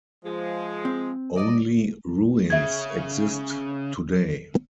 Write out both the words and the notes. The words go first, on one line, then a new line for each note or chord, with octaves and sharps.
Only ruins exist today.
F3 G#3
C4
B1 G2 D5 D#5
C#3 E5 G#6